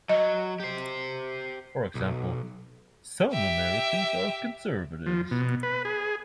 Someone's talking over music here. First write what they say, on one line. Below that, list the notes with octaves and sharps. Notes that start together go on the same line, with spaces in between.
For example, "Some Americans are conservatives".
F#3 D#5
G4 C5
B1
G4 E5
F3
B2
B4
G#4